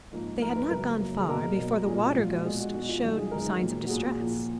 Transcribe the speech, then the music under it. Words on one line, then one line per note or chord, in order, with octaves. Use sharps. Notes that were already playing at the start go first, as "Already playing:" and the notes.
They had not gone far before the water ghost showed signs of distress.
G#2 F3 A#3
G#2 F3 A#3 A#4
B4
F#2 C#3 F#3 A#3 A#4
F#2 C#3 F#3 A#3
G#4
B2 F#3 A#3 A#4
B2 F#3 A#3
A#2 F3 G#3 G#4
F#4
A#2 F3 G#3 F4
F#4
B2 G#3 G#4
F#4
B2 G#3 F#4
F4
F#2 D#3 G#3 F#4
G#4
F#2 D#3 G#3 A#4
A#2 F#3 A#3
F#4
A#2 F#3 A#3 G#4
A#2 F3 A#3